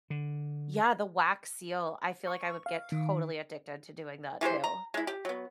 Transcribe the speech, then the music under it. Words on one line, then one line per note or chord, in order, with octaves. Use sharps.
yeah, the wax seal, I feel like I would get totally addicted to doing that, too.
D3
C#6
F5
D#3
E3 G#3 G4 C5
A#5
G#3 E4
G4
F#3 B3